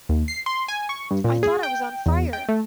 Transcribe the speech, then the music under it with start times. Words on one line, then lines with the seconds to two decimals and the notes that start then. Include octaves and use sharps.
I thought I was on fire!
0.09 D#2
0.28 C7
0.46 C6
0.68 G#5
0.89 C#6
1.11 G2
1.24 A#2
1.43 G#4
1.63 G5
2.06 E2
2.33 G5
2.49 A3